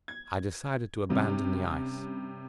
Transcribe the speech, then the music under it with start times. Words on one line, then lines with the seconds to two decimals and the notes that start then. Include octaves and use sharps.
I decided to abandon the ice.
0.08 G#6
1.09 G2 C3 G3 C#4